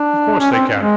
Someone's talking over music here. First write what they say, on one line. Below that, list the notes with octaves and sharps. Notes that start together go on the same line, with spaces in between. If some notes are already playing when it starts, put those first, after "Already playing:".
Of course they can.
Already playing: D4
C#4
C4
G#3